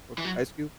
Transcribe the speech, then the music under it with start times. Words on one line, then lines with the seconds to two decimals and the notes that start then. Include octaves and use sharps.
with Ice Cube?
0.18 E3
0.25 F#3